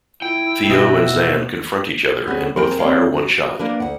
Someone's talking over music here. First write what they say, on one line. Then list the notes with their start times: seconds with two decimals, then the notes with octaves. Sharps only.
Theo and Xan confront each other and both fire one shot.
0.22 E4 G5
0.70 B2 F#4 D#5 E5
2.26 D2 B3 C#4 G#4
2.56 G#3 C4 A#4 G5
2.79 C4 C#5 D5 F5
3.17 F#4
3.59 A#3 D4 B4
3.80 D2 F#5